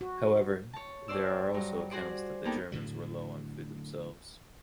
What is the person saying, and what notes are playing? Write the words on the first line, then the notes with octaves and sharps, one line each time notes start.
However, there are also accounts that the Germans were low on food themselves.
F#4
C#5 A5
F2 C5 D5 E6
G2 F#3
F#4 G#4 C5 D5
A#3 B3 D4 D#4 G4 A4
A2 D3 F#3